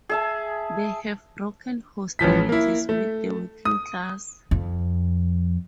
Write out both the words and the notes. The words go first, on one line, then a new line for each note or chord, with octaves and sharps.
They have broken hostilities with the working class.
G#4 E5 A5
A1 E3 F3 B6
A#3 E4
A3
D#6
F2